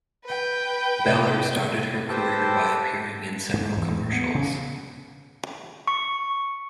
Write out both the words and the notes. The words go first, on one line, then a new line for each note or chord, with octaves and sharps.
Beller started her career by appearing in several commercials.
B4 G5
C3 D5 D#5
G4 A4 B4 C5 G5 A5
G#2
E2
A2
B3
C#3
C#6